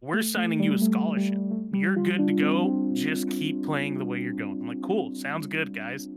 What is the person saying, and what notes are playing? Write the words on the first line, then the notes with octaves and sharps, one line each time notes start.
We're signing you a scholarship. You're good to go. Just keep playing the way you're going". I'm like, "Cool. Sounds good, guys".
A3
A3
G3
A3
G3
A3
G3
F4
D4
C4
C4